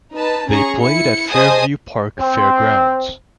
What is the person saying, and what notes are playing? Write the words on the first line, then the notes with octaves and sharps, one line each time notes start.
They played at Fairview Park Fair Grounds.
D#4 B4 A5
C#4 G#4 A#5 C#6
E4 C#7
G#4 C5 D#5 G#5 A5 D#6
C4